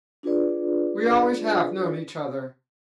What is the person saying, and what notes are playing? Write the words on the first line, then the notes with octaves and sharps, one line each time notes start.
"We always have known each other."
D4 F4 G#4 B4 D5